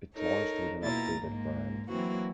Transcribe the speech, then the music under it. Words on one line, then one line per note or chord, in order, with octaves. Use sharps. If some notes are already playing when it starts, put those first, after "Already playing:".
It launched with an updated brand.
D#4 A4 A#4 C#5
B2 A#3 E4 F4 A#5 A6
G#2 G#3 A#3
E3 F#3 A#3 C4 F#4